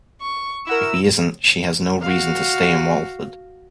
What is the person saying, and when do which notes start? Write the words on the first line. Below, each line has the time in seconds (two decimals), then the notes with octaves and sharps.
If he isn't, she has no reason to stay in Walford.
0.21 C#6
0.67 E4 F#4 A#4 E6
2.02 F#4 F5